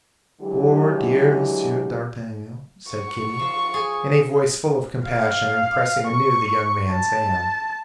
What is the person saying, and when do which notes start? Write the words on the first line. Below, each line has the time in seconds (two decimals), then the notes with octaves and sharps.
"Poor dear Monsieur d'Artagnan," said Kitty, in a voice full of compassion, and pressing anew the young man's hand.
0.41 D3 E3 F#3 G#3 G4
2.92 C#6
3.39 F3
3.74 G#4
5.08 F5
6.09 C#6
6.92 A5